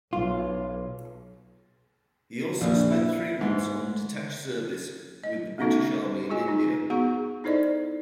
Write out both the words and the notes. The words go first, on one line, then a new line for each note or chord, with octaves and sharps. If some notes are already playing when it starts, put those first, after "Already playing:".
He also spent three months on detached service with the British Army in India.
B1 F4
A#1
E4
G#2
D#5
A3 B3 C#4 D#4 F#4 A4
F4 F#4 G#4 D#5 G#5
D#4
B3 F#4 G#4 A#5 C#6
D#4 E4 A4 C5 D5 D#5